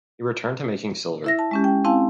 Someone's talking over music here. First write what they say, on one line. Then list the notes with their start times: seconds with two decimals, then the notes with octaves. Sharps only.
He returned to making silver.
1.24 E4 E5 A#6
1.39 A5
1.51 G#3 C#4 G4
1.64 G5
1.85 C4 E4 F5 G#5 A5